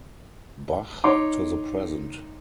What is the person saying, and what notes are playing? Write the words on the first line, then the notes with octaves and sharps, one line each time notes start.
Bach to the present.
D#4 C#5 C6 D6